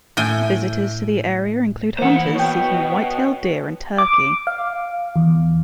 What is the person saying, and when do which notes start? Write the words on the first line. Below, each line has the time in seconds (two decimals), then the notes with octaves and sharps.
Visitors to the area include hunters seeking whitetail deer and turkey.
0.17 A2 G5 G#5
1.99 E3 A#3 C5 F#5
2.16 E4
2.35 B2 C#5 G5
3.98 D6
4.47 F5
5.16 E2